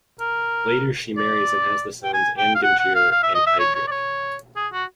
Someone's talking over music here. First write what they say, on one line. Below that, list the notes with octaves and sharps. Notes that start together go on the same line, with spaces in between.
Later she marries and has the sons Angantyr and Heidrek.
A#4
D5
G5
G#5
G5
F5
F#5
F#5
F5
F5
E5
D#5
E5
C#5
C#5
D5
C#5
G#4
F#4